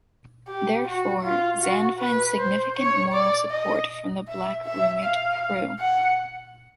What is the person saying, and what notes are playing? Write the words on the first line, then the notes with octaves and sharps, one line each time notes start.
Therefore, Zan finds significant moral support from the black roommate Prue.
G4
F#4
F4
F#4
B4
C5
C#5
D5
D#5
E5
E5
F5
F#5